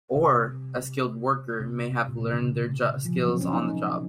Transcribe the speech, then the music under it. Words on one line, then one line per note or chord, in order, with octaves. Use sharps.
Or, a skilled worker may have learned their skills on the job.
C3
C3
A#2
C3
C#3
C#3
D#3
F3
F#3
C4
C#4
D#4